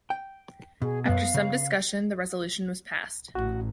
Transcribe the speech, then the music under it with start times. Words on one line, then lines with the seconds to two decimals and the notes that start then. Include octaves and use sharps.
After some discussion the resolution was passed.
0.10 G5
0.82 B2 G#4
1.05 F#2 B3 F5
1.34 C#3
3.35 A1 F#4